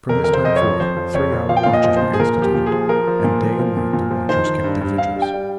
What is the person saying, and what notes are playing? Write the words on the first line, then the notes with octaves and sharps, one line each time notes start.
From this time forth three-hour watches were instituted, and day and night the watchers kept their vigils.
F2 A#4
A#4
F2
C5
F2 D#5
C#5
F3
F2 C5
F3
F2 C#5
F3
F3 F5
G5
A#2 F5
D#5
F3
C5
A#2
G#4
A#2 A#4
F3
G4
A#2
G#4
F3
F3 A#4
F3
A#2
F3
F3
A#2
A#2
F3
D#3 C5
D#3
G2
G2
G2 F5
G3
G5
G3